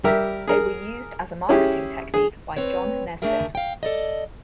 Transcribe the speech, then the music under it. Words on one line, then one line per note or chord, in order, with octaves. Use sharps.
They were used as a marketing technique by John Nesbitt.
G3 G4 A#4 E5
G#4 A#4
C#4 E4 G4 G#4
G#4
C4 B4 C#5
A3 D4 G4 G#4 A#4 E5
F5 G5
A4 D5 D#5